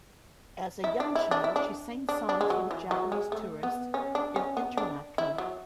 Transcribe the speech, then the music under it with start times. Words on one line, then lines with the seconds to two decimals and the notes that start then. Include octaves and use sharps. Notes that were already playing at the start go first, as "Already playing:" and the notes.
As a young child, she sang songs for the Japanese tourists in Interlaken.
0.84 E4
1.00 D4
1.15 E4
1.31 D4
1.44 E4
1.56 D4
2.09 D4
2.29 D4
2.41 G#3
2.50 F#3
2.71 E3
2.91 F#3
3.12 G#3
3.32 A3
3.63 B3
3.94 C#4
4.15 D4
4.36 C#4
4.57 B3
4.77 D4
5.18 E4
5.38 F#3